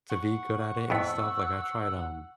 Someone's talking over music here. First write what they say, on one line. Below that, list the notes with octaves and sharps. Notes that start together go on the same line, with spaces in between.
to be good at it and stuff, like, I tried, um,
F#5 C#6
F2 A2 B3 E6